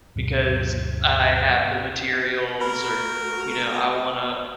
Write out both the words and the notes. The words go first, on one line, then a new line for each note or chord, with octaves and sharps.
because I have the materials or, you know, I wanna
D2 G2 B2 F#3
A3 F#4 A#4 B4 B5